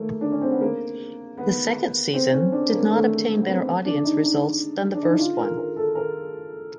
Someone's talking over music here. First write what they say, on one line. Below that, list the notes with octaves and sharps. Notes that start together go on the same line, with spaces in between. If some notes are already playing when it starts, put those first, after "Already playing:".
The second season did not obtain better audience results than the first one.
Already playing: A3 A#3
D4
C#4
C4
B3
A#3
B3
C4
C#4
D4
A#3
A3
B3
C4
D4
D#4
D#4
D4
D#4
E4
F4
A#4
A#4
A4
A#4